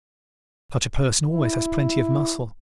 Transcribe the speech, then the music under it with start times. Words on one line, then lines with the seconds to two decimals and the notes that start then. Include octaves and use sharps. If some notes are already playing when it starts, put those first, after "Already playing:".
Such a person always has plenty of muscle.
1.33 E4